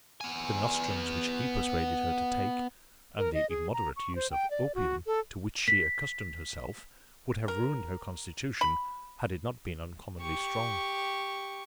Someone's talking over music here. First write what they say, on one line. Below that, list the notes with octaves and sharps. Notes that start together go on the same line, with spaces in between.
The nostrums which he persuaded her to take, and the immoderate use of opium to which she accustomed herself, would have ruined her constitution, had it not been uncommonly strong.
B3 G#5
A#4
D#5
G#4
A#5
C#6
C5
G5
D5
F#4
A4
B6
A#4
B5
G4 C#6